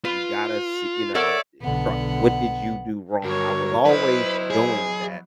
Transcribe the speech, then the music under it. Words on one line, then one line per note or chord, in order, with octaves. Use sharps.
You gotta see" you know, eh, "Try what did you do wrong?" I was always doing that,
F4 B4
A4 A#4 C#5 D5 E5 F#5
B1 D3 B3 F#5
G2 D3 F#4 A#4 C#5
F#3 E4 B4 C5 D#5
G#4